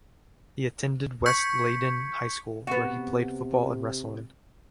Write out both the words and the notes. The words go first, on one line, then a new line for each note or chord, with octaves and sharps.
He attended West Leyden High School where he played football and wrestling.
C#6 G6 G#6 B6 C#7
C3 B3 F#4